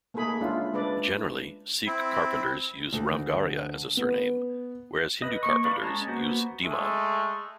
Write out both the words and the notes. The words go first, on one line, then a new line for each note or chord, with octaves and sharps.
Generally, Sikh carpenters use "Ramgarhia" as a surname whereas Hindu carpenters use "Dhiman".
A3 A#3 D#4 G#4 B5
G#3 C#4 D4 E4 F4
G#3 D4 B4 D5
C4 E4
D2
B3
B4 D#5
A#3 C#6
B4 D5 F5 B5 C#6
G#3 C#4 A5 A#5
A#3 B3 F#4 C5
G#3 A3